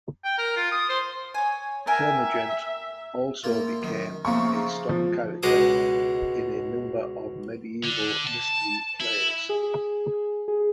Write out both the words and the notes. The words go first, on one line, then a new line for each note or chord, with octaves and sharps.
Termagant also became a stock character in a number of medieval mystery plays.
G5
A#4
F4
D#6
C5
C#5 G#5
A#4 E5 G5 G#5
A2 A#3 F4
F#2 D#3
C#3 F3 A3 A#3 C#6
F3
C#2 B2 G#3 D#5 D6 D#6
D3
A5
E4
G#4
G#4